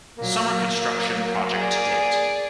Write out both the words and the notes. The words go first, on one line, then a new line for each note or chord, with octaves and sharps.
Summer construction project to date.
A#2 F#3 A#3
F#3
G#4 D5